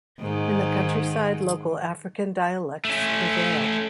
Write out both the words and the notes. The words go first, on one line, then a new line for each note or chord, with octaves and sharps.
In the countryside, local African dialects prevail.
G#2 D#3
A3 C#4